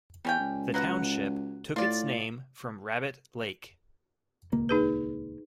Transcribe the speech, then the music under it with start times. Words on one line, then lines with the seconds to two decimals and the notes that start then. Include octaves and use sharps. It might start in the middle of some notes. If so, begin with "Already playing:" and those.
The township took its name from Rabbit Lake.
0.25 E2 G3 C#4 G5
0.39 C#2
0.74 F#3 B4 F#5
1.76 A2 F4 D5
4.52 D#1 C#2 A#3
4.69 D#4 G#4 B4